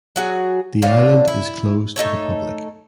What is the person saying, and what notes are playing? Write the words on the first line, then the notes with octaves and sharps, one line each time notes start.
The island is closed to the public.
F#3 F#4 G#4
A2 D3 D4 F5
E4
A3 D#4 A4 C#5